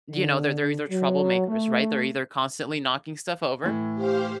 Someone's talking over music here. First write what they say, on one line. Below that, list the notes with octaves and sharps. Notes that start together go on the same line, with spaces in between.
you know, they're they're either troublemakers, right? They're either constantly knocking stuff over
D3
F#3
A3
A2 E3
G4 C5 F5